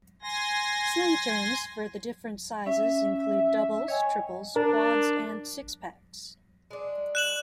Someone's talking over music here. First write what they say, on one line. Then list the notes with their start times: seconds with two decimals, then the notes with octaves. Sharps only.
Slang terms for the different sizes include "doubles", "triples", "quads", and "six packs".
0.22 G#5 C6 A#6
2.66 C#4 E5
3.88 C#5 D#5 G5 G#5
4.56 D4 A#4
6.71 G#3 D4
7.15 F#6 E7 F#7